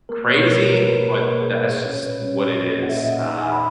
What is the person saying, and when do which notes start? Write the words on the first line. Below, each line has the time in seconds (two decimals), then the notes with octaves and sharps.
Crazy, but that's just what it is. Uh,
0.09 A#3 A#4
0.29 B2 C#5
0.42 B4
0.48 B2 A#4
0.68 B2 A#4
0.88 B2 B4
1.07 A#3
1.27 A#3
1.41 B2 G#4
1.53 A#4
1.66 A#2 B4
1.84 C#4 C#5
2.04 A#2 B4
2.24 C#4 C#5
2.43 A#2 D#5
2.63 A#3
2.82 A#3 F#5
2.89 E5
2.96 D#5
3.02 A#2 E5
3.21 D#4 F#5
3.40 D#4 G#5
3.52 B5